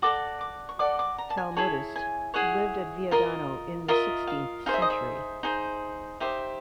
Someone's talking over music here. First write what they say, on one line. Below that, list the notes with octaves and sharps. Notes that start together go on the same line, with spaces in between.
Talmudist; lived at Viadano in the sixteenth century.
F#4 A4 D5 D6
D6
C#6
F#4 A4 D5 D6
D6
A#5
A5
G#5
E4 G#4 C#5 A5
G#5
E4 G#4 C#5 F#5
F4 A#4 D#5
F4 A#4 D#5 E5
F5
D#4 G#4 C5 F5
E5
D#5
E5
D#4 G#4 C5
D#4 G4 C5 E5